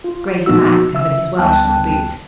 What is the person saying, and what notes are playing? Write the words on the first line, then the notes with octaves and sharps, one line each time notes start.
Grey spats covered his well-shone boots.
F4
A#2 F3 B3 D#4 F#4 E6
C#3 E5 E6
D2 G3 B3 G5 A5 F#6